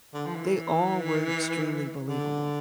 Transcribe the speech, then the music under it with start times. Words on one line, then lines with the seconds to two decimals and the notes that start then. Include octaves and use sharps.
they all were extremely believable.
0.14 D3
0.26 F3
0.35 E3
2.09 D3